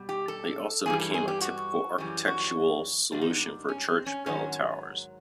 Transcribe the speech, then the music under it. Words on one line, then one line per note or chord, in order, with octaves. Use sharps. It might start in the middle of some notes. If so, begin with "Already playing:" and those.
They also became a typical architectural solution for church bell towers.
Already playing: B2 G3
G4
A4
G2 E3 G3 G#4
A4
G#4
G4
F#4
F#2 C#3 E3 G3 G4
F#4
G#2 D#3 G3 D4
D#4
D4
C#4
C4
C#4
G#2 D#3 F#3 C#4